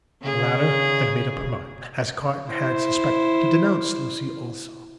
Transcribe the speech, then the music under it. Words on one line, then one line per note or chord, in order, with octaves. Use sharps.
The latter had made up her mind, as Carton had suspected, to denounce Lucie also.
C#3 G#4
E4 C5